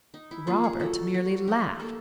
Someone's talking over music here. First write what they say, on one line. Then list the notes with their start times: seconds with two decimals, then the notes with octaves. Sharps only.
Robert merely laughed.
0.14 D#4
0.31 E4
0.47 A#3 F4
0.64 G#4
0.80 F#3 A4
1.14 F#3
1.47 D#4 G4
1.80 A#3 A4